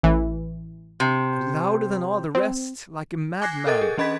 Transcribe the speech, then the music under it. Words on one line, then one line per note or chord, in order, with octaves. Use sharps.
"Louder than all the rest; like a madman."
A1 E3
C3
C4
G#5 D6 F#6 G#6 A#6 C7
A4 A#4 D#5 A6
G#4
E3 C#4 D#5 B5 G#6 B6